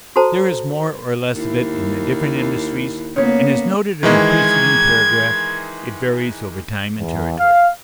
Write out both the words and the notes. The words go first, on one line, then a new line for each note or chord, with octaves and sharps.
There is more or less of it in the different industries, and, as noted in the preceding paragraph, it varies over time and territory.
F#4 A4 C5 A5 A#5
D#2 E4
C#3 A#3 B3 C#5
D#3 E3 G#3 G#6
E2
F5